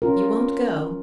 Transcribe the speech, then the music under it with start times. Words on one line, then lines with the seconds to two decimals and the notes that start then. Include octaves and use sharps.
You won't go.
0.02 C#4 F4 A#4